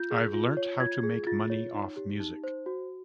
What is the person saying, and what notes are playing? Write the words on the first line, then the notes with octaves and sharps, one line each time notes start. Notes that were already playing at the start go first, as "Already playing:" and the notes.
I've learnt how to make money off music.
Already playing: F4 G6
G#4
F4
C#5
F4 G#6
G#4
F4 A6
C#5
D#4
G4
D#4
C5
F#4